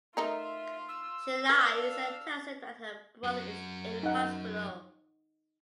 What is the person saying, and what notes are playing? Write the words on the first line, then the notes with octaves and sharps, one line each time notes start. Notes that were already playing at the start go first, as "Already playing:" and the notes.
She lies and tells him that her brother is in hospital.
A3 D#4 F4 A#4 E5
E6
D4 B4 F5
F#2 F#4
D#4 F#5